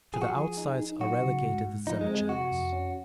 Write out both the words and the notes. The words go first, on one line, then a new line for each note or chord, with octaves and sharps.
To the outsides are relegated the semichannels.
F3 G#4
F#4
G#4
F3
D#4
D#4
F#3 F#4
C#3
G#2
G#2
F3 D#4
G#3
C4
G#3
C3 F#4
F2
C#4